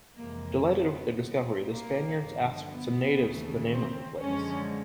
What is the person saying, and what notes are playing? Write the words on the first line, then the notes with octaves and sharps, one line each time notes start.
Delighted with their discovery, the Spaniards asked some natives the name of the place.
F2 C3 E3 G#3 A#3
B3
A#2 G3
A#3
G2 D3 F3
B3
D#2 C#3 E3 A3
C4
F#2 D3 F3 G#3 C#4